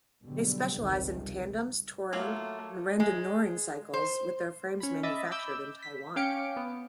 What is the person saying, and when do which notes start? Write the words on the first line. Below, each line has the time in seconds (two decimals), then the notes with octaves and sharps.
They specialise in tandems, touring and randonneuring cycles, with their frames manufactured in Taiwan.
0.22 G#2 B2 D3 F#3 G3
0.77 G#1 C#2 C3 D#3 F3 G3
2.13 F#3 A3 A#3 F4
3.00 G#3
3.93 C5
4.80 C#4 B5
5.03 D#5 E5 B5 D6 A6
5.31 B5 D6 E6 G6
5.82 B6
6.16 C#4 F5 G5 D6 C#7 D7
6.56 B3